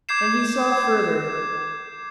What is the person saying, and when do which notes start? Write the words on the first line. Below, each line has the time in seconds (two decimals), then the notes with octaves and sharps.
And he saw further.
0.09 D6 G6 G#6 C7 E7